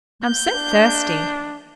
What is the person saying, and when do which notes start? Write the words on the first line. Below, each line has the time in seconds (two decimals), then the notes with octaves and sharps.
"I am so thirsty."
0.25 G6
0.54 D4